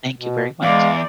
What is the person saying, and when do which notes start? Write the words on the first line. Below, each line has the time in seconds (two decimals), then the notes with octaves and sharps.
Thank you very much.
0.18 B2
0.63 E2 G#3 D5 F5